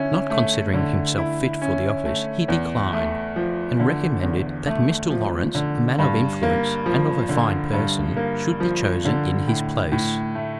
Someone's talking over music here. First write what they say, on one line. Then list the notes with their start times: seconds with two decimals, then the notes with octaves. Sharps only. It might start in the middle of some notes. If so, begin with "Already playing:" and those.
Not considering himself fit for the office, he declined; and recommended that Mr. Lawrence, a man of influence and of a fine person, should be chosen in his place.
Already playing: D3 C#4 E4
0.30 A3
0.74 D3
1.18 E4
1.61 C#4
2.05 A3
2.48 E2
2.93 A3
3.36 F3
3.80 D3
4.23 E2
4.67 A3
5.10 F3
5.55 D3
5.99 G2
6.43 A#3
6.86 F3
7.29 D3
7.73 G2
8.16 A#3
8.60 F3
9.05 D3
9.48 A2
9.92 A2
10.35 A3